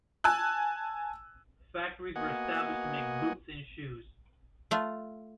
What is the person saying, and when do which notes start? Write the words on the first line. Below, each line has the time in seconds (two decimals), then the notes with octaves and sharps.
Factories were established to make boots and shoes.
0.24 G#5 A5 E6 F#6
2.16 A#3 B3 F#4 D#5 F#5 G#5
4.71 A3 F4